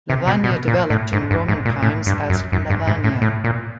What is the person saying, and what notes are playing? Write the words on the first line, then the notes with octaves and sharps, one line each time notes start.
Lavagna developed in Roman times as Lavania.
C3
B2
B2
A#2
A2
G#2
G2
G#2
A#2
A2
G2
F#2
F#2
G2
G#2
A2
A2
A#2